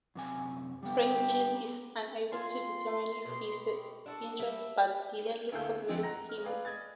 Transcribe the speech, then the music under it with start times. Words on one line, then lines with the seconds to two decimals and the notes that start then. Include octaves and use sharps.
Franklin is unable to determine if he is injured; but Delenn recognizes him.
0.15 F#2 C3 G#5
0.83 G3 B3 G4
2.32 C4 F4 G#5 C6
3.25 B2 G4
4.06 D4 F#4 A4
4.39 G3 E5
5.52 D2 E4 G#4 A4 F5 G6
5.88 F2 D3 F3 C4
6.03 F#5 A#5 A#6
6.29 F6
6.45 G#4 B4 D5 F5
6.65 D#5 G#6 A6